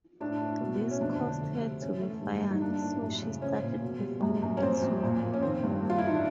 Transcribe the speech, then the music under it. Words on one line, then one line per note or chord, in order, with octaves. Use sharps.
This caused her to be fired, so she started performing elsewhere.
A2 D4
A2
B2
B2
C#4
F2 D4
D3
A3
C3
E3 C#4
A3
G2
G2
D#4
A#3 D4
A2
F#2
C#3
F3 C#4
A#2
B2
G3
F#2
F#2
C#4
F2 C4
F2
A#2
A#2
C#4
D#3 C4
G2
A#3
F4
E4
E3 D#4
D4